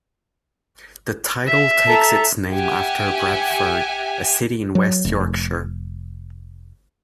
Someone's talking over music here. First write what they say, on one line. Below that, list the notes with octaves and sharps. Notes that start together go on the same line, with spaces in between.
The title takes its name after Bradford, a city in West Yorkshire.
E5
A4 A5 A#5
G4 E5 F#5 G#5
F#3
F1